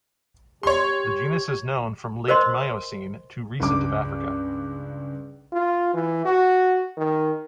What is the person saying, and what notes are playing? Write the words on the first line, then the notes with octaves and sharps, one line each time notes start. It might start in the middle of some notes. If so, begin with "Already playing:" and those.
The genus is known from Late Miocene to Recent of Africa.
G4 C#5 C6
A#4 C5 D#5 C6
C#2 G2 D6
F4
E3
F#4
D#3